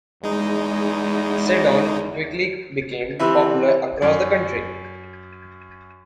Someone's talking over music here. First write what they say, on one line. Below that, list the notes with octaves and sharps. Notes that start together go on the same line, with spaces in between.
Seddon quickly became popular across the country.
E2 G#3 D#4
C3 E3 B4 E5
F#2